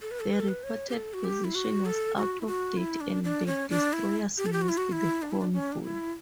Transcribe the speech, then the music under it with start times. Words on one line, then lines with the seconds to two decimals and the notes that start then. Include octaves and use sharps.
The reported position was out of date and the destroyers missed the convoy.
0.02 A4
0.11 B4
0.20 A4
0.33 B4
0.40 A4
0.48 B4
0.63 C#5
0.89 G4
0.94 A4
1.14 F#4
1.24 G4
1.44 E4
1.55 F#4
1.85 A4
2.16 F#4
2.41 E4
2.47 F#4
2.77 E4
3.01 D4
3.24 D4
3.46 C#4
3.69 D4
3.93 E4
4.38 G4
4.46 A4
4.53 G4
4.62 F#4
4.69 E4
4.77 F#4
4.92 E4
5.22 D4
5.31 E4
5.40 D4
5.53 C#4
5.72 D4
5.83 E4